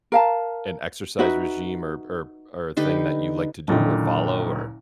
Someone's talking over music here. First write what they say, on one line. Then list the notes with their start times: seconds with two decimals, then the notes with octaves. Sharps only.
an exercise regime or or or a thing that you like to do or follow or
0.12 A#4 F5 A5
1.19 D#4 F#4 B4 E5
2.77 D3 D#4 G4 B4
3.68 F#1 A#2 D3 D#3